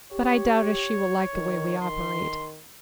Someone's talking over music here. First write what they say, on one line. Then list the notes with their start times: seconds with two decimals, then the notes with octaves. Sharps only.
But I doubt if she will like the way we operate.
0.13 G4 C#5
1.34 D#3
1.81 D#3 C6